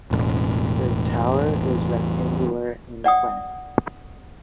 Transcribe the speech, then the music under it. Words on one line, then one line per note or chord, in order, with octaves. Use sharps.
The tower is rectangular in plan.
E1 A1
D5 F#5 G5 D#6